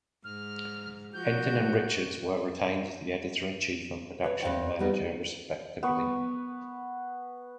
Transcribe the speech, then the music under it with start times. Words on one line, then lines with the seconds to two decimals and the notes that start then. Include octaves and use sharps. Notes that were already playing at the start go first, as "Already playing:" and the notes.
Henton and Richards were retained as the Editor in Chief and Production Manager respectively.
0.24 G#2 F6
1.14 F3 F#4 G6
1.51 G#2
4.24 B4 C#5
4.43 E2 C#3 A#4 C5 F5 G5
4.79 G3 B3 D#4
5.83 B3 C#6